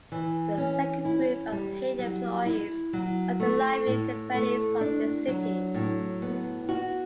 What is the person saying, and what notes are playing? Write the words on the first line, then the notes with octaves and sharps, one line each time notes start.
The second group are paid employees of the Livery Companies of the City.
E3
C#4
E4
G3
F#3
E4
F#3
A3
A2
A3
D4
F#3
A2
B3
F#4